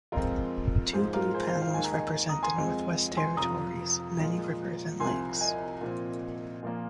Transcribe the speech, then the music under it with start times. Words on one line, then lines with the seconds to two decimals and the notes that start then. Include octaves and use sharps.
Two blue panels represent the Northwest Territories' many rivers and lakes.
0.12 F2 F3 G#3 C4 F4 A#4
0.93 G#2 F3 G#3 G#4 C5
1.14 F4 A#4
1.34 G#4 C5
1.47 C5 F5
1.61 C5 F5
1.74 D#2 D#3 G#3 G#5
1.84 A#5
1.92 D#5 G#5
2.29 A#5 D#6
2.43 G#5 C6
2.56 F2 F3 G#3 C4
3.17 G#5 C6
3.37 F2 C3 F3 A#5 D#6
4.19 A#2 F3 G#3
5.00 C2 C3 F3 G#5 C6
5.41 D#5 G#5
5.81 A#2 F3 C4
6.63 A#2 F3 A#3